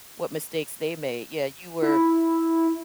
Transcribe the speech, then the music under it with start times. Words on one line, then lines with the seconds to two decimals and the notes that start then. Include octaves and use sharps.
what mistakes they made yeah, you were
1.82 E4